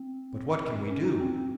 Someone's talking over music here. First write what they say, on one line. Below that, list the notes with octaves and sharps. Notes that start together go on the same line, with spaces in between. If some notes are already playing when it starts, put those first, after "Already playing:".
"But what can we do?"
Already playing: C4
C#4
D#4
C4